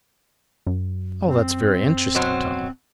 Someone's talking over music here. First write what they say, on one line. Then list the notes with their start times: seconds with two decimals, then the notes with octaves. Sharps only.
"All that's very interesting, Tom."
0.66 F#2
1.27 C4
2.15 B2 F#3 C5